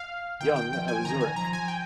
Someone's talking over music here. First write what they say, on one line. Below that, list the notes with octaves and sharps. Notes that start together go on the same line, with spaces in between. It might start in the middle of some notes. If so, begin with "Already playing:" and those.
Jung of Zurich.
Already playing: F5
D#3 G5
G5
F3 G5
G#5
D#3 A#5
G#5
F3 A#5
G#5
G5